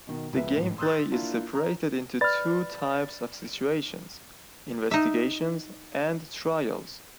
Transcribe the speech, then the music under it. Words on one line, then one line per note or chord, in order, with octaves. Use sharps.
The gameplay is separated into two types of situations: Investigations and trials.
B2 D#3
C#2 F3 B4 E5
A1 G#2 E3
C6 D#6 E6 F#6 G6 A6
A#3 D4 E4 F4
C#5 A#5
B4 D5 B5 F6 A6
D#4 E5